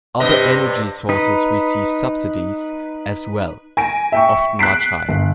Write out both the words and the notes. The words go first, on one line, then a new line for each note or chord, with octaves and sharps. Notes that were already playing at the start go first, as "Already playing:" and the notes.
Other energy sources receive subsidies as well, often much higher.
G2 C3 D#5
D#4 B4
G#5 A#6 D7
E5 G5 C#6
F#6 B6 C7 D7
G1